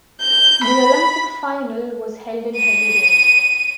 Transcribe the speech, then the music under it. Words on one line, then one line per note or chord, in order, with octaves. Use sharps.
The Olympic final was held in heavy rain.
G6
B5
D#7